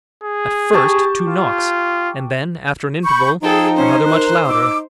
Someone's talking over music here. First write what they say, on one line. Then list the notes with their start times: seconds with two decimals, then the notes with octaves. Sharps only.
At first, two knocks, and then, after an interval, another much louder.
0.24 G#4
0.73 G4 A5 C#6
1.30 F4
3.04 B5 C#6 G6
3.43 F3 D#4 G#4 A4 G5
3.76 C#4 C5
4.07 A#4 F#6
4.46 D#4 D6 E6